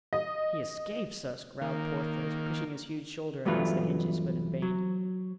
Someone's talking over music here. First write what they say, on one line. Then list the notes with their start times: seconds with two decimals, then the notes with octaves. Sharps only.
"He escapes us," growled Porthos, pushing his huge shoulder against the hinges, but in vain.
0.13 D#5
1.61 D#3 A#3
3.45 E2 G2 F#3 A3 F4 B4
4.62 F#3